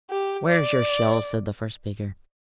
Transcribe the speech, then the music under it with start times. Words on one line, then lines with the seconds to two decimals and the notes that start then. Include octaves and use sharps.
"Where's your shells?" said the first speaker.
0.10 G4
0.47 D5